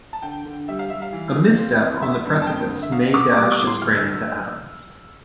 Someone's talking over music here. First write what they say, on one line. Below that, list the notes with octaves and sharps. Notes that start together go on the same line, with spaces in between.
A misstep on the precipice may dash his frame to atoms.
A5
D3 G5
D3
G3 E5
F5
G3 E5
F5
E3
A3
C4
F2
B3 E5
G2
A5
F2 G5
D3
E5
B2 F5
B3 D6
G3 D6
D6
A2
C6
D2 F6
E6